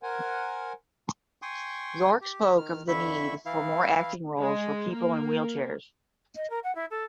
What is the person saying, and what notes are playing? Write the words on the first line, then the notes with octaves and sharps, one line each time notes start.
York spoke of the need for more acting roles for people in wheelchairs.
A#4 C5 F#5 G#5
G5 G#5 C6 C#6 D#6
G4
D#3 F6
F2 D3 E4 E5 B5 C#6
E3 E4 F5
G#3
A#3
D#5
A#4
F#5
E4
A4